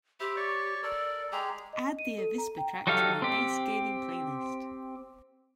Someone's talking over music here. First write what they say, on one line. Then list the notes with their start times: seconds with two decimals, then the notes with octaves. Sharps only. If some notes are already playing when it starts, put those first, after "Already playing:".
Add the avispa track to my Bass Gaming playlist.
0.20 G4 C5 E5 B5
0.36 C#5 D5 C#6
0.83 A4 A#4 D5
1.32 G#3 G4 G#4 A#5
1.73 D#5
1.99 D#7
2.18 A4
2.38 A#5
2.58 G5
2.87 F#3 D#4 G4 A4 F5
3.22 C4 G4